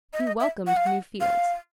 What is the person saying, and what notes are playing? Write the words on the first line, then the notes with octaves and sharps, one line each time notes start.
He welcomed new fields.
D#5
E5
D#5
E5
F#5
F5
F#5
F5